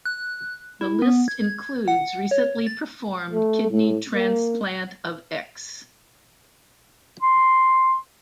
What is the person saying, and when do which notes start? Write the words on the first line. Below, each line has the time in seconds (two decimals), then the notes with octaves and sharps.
The list includes recently performed kidney transplant of Ex.
0.05 F#6
0.81 E4
1.02 B3
1.28 G#6
1.88 F#5
2.31 C#5
2.67 A6
3.33 A3
3.70 A2
4.14 A#3
7.22 C6